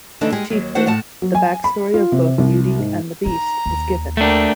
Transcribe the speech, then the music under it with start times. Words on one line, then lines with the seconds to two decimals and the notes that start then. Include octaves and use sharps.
Chiefly, the backstory of both Beauty and the Beast is given.
0.21 D3 E3 A3 D4 D#4 A4
0.32 G3 G#3 G4 G#4
0.50 D#2 F#3
0.75 A3 D4 F#4 C5 F#5
0.86 A2 A3 F#5 A5
1.22 F#3
1.35 G#5
1.64 B5
1.94 F4
2.12 C3
2.38 C2
2.79 G#2
3.26 D#4 A#5
3.66 D#2
4.17 A3 A#3 D4 G5